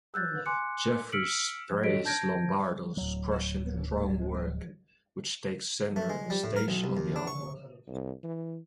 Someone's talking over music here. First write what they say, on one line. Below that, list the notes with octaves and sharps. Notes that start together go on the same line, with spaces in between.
Jeffries praised Lombardo's "crushing drum work" which takes center stage on the album.
E6 F#6 G6 A6
G#5 C6 D6 F#6 C#7
E6 F6 B6 C#7 D7 F#7
F#4 A4 C#5 D#5 B6 D7
A5 G6 G#6 A#6 D7
D1 F#3
A3
G#3
G3
A2
A#4
B1
C2
D#2
D4
C#6
C2
E3